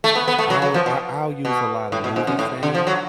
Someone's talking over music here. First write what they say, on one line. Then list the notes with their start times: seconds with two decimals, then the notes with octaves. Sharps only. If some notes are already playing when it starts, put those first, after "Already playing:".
I'll I I'll use a lot of movie sayings
0.04 A3
0.15 B3
0.28 B3
0.39 A3
0.50 F#3
0.62 F#3
0.74 F3
0.86 B2
1.45 B2
1.92 A2
2.04 B2
2.16 G#2
2.27 F#2
2.39 A2
2.63 D3
2.75 F3
2.87 F#3